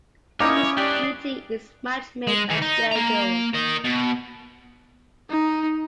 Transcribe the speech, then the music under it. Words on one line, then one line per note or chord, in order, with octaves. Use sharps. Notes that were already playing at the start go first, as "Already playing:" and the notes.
Each meeting is match-made and scheduled.
A#3 C#4 D#4 E4 C#5 D6 D#6
D4 G4 B4 D5
G#3
D#3 E3
D#4
A#3 A#5
A#4 D#5
B2
D#4